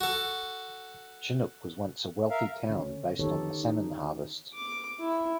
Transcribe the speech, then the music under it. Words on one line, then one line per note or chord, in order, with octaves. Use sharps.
Chinook was once a wealthy town based on the salmon harvest.
F#4 A4
A#4 E5 F5
D3 C#4
D#3 B3 D#4 G4 A4 C#5
D#4
D6
E4